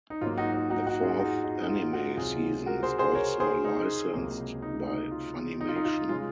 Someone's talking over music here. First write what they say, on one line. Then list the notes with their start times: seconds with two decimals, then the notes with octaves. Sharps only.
The fourth anime season is also licensed by Funimation.
0.10 D#4
0.21 G#2 F#3 A#3 F4
0.38 D#4 F#4
0.54 D#4
0.70 D#4 F#4
0.87 D#4 F#4
1.03 F4 G#4
1.19 D#4 F#4
1.44 D#4
1.60 D#4
1.68 F4
1.93 D#4 F#4
2.17 C#2 C3 F#3 F4 G#4
2.66 F#4 A#4
2.83 G#4 C5
2.98 G#4 C5
3.15 A#4 C#5
3.40 G#4 C5
3.65 D#4
4.13 C#2 C3 F#3 A#3
4.62 D#4
4.87 D#4
5.11 F4
5.61 D#4
5.68 F4
5.76 D#4
5.85 F4
6.09 C#3 G#3 F4